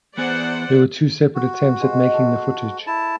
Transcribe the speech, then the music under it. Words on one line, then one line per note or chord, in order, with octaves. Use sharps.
There were two separate attempts at making the footage.
E3 B3 G#4 C5 D5 F#5
F#4
G#3 C5 F5
A4
E4 A5